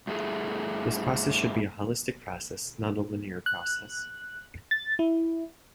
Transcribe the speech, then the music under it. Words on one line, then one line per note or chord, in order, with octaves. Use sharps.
This process should be a holistic process, not a linear process.
G2 A3 E4 G#4 A4
F#6
A6
E4